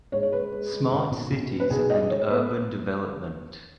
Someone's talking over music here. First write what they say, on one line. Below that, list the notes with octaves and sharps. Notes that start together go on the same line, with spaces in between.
Smart Cities and Urban Development.
G#2 C#5
C#5
G#3 B4
G#3
G#3
G#1
B1
B1
B2
B4
B1 G#4
G#3 D#5
G#3 C#5
B3 B4